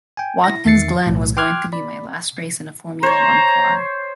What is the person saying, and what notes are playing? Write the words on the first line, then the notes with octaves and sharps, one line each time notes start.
Watkins Glen was going to be my last race in a Formula One car.
G5 G#5
E4 A#6
E2 D#3 E5 A6 C7 C#7
B1 A2
G5 C6 D6 F6 F#6 G#6
D5 B5
C5 C#5 A#5